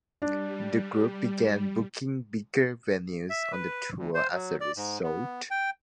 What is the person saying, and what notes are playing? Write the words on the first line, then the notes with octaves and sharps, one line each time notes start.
The group began booking bigger venues on the tour as a result.
G3 D4
E5
B4
D2
C5
F#3
D5
G#2
B3
G5